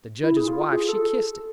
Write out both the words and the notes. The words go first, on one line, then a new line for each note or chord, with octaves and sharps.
The judge's wife she kissed it.
E4
G#4
F4
G#4
A4